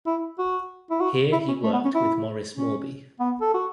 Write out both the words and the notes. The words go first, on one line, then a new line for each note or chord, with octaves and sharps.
Here he worked with Maurice Mawby.
E4
F#4
E4
F#4
E4
C#4
A3
B3
C#4
E4
C#4
B3
A4
F#4